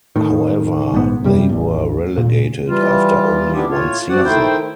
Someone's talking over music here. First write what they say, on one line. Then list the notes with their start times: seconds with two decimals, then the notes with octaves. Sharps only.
However, they were relegated after only one season.
0.16 A2 D#3
0.92 A#1 G#2 B3
1.24 F#2 C3 G3
1.49 A1 E2
2.17 A#2
2.68 E3 G3 F4
3.53 E3 B3 D4 E4 G4
3.70 A2 F4 C#5
4.08 G2 F3 C4 F#4 D5 F#5
4.24 D#3 A3 E4 C5 G5